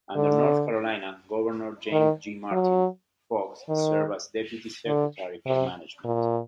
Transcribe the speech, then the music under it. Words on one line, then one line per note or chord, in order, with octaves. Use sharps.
Under North Carolina Governor James G. Martin, Foxx served as Deputy Secretary for Management.
D3
D#3
F#3
D#3
D3
C3
A#2